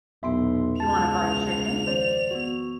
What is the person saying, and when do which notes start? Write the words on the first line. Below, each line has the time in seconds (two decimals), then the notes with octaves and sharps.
You want to buy chicken?
0.23 B1 E2 A#2 B3 E5 C6
0.80 C#2 A5 A6 F7
1.87 D#3 F3 C5 D5
2.31 B3 F#4